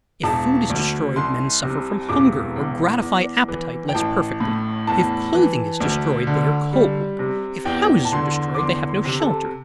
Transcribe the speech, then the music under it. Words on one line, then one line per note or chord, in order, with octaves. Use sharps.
If food is destroyed, men suffer from hunger or gratify appetite less perfectly; if clothing is destroyed, they are cold; if houses are destroyed, they have no shelter.
E1 A5
D2
C2 C6
C3
E1 D6
E2
E2
E3
G5
A1 A5
A2
E2 A5
E3
D2
D3
G3
C3
E2 G5
A5
D3 C6
D6
E2 C6
C6
C3
A4